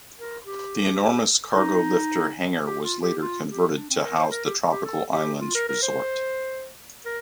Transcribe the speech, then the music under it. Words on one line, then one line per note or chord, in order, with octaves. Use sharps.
The enormous CargoLifter hangar was later converted to house the Tropical Islands Resort.
A#4
G4
D#4
G4
F4
G4
F4
G4
D4
C4
A#4
C5
A#4
G4
G4
A4
G4
F4
A#4
A#4
C5
A#4